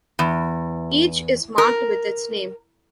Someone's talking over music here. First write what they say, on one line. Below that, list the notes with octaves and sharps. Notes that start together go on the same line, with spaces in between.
Each is marked with its name.
E2
A#4